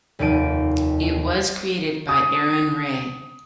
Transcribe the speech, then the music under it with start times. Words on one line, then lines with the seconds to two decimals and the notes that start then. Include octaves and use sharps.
It was created by Aran Rei.
0.19 F1 D#2 D#4 D7 D#7
2.09 D#6